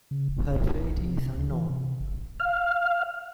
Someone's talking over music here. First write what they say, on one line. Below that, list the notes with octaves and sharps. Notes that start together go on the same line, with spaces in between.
Her fate is unknown.
C#3
F1
E1
G1
B1
F3
C3
C#2
E3
C3
G1
F5